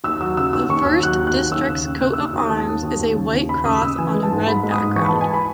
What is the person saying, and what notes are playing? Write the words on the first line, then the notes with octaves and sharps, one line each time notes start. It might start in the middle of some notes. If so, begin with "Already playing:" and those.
The first district's coat of arms is a white cross on a red background.
D#2 E6
F#3 E6
C#3 E6
D#2 E6
D#2 C#6
D#2 E6
F#3 F#6
D#2
F#6
D#2
D#2 E6
C#3
C#3
C#3 F#6
E6
D#2
E6
D#2 D#6
D#2 A5
D#2
D#2
D#2
C#3
D#2
C#3 B5
C#3 D#6
C#3 E6
E3 G#5
G#3
A5
G#2
G#2 B5
G#3
D#6
G#2
E3 C#6
B5
A5
G#3
G#5
B5